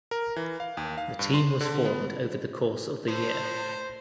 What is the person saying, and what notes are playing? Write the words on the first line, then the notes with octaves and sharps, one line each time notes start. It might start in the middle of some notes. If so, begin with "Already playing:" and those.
The team was formed over the course of the year.
A#4
E3
F5
D#2
F5
G2
C6
D3
B3
A2 C5